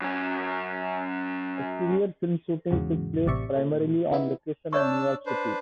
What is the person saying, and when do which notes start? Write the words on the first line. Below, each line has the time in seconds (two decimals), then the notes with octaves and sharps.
Exterior film shooting took place primarily on location in New York City.
0.01 F#2 C#4
2.70 E2 G#2 C#3 F#3
3.26 A1 C3 D5 E5 C#6
3.56 A#2 A3
4.11 C3 E3 B3 D#4 E4
4.73 D4 C#5 D5 A5 C#6 E6
5.26 D4 B4 C5